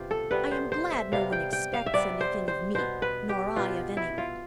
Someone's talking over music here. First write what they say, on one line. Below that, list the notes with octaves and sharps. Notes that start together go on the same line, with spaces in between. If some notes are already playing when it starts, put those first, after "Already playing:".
I am glad no one expects anything of me,--nor I of any one.
Already playing: C3 B3 F4 G4
A4
C3 G3 B3 B4
C5
C5
E5
C3 G3 B3 F5
G5
G5
F5
E5
C3 G3 B3 D5
C5
C5
B2 B3 C5
B4
G4
B2 B3 F4
E4
F4